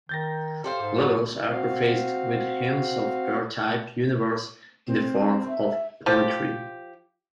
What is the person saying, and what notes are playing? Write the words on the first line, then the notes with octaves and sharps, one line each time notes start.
Levels are prefaced with hints of the R-Type universe in the form of poetry.
D#3 G6 A6 A#6
G4 A4 C5 F5
G#2
F#3 B4 D5
C4 F#4 F5
C4
E5
F3 G4